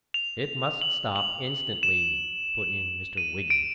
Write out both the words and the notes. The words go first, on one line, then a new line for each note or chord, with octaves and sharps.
"It must stop instantly," put in Mr. Wygant.
F7
F#7
F#7
E7
D#7
D7